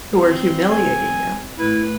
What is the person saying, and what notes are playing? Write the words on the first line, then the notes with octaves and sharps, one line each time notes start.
Who are humiliating you.
C4
G#5
A2 E4 B4